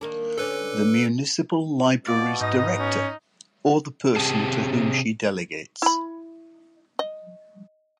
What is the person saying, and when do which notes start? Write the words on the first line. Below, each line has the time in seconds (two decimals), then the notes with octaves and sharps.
The Municipal Library’s Director, or the person to whom she delegates.
0.01 D#3 A#3 D4
0.38 D3 C#4 D4 A4 B4
2.06 B2 D5 F5 A6
2.41 G#2 D#4 D#5 G6
2.78 C#4
4.16 C3 F3 C4 G4 G#4 A5
5.82 E4 B5
6.99 D#5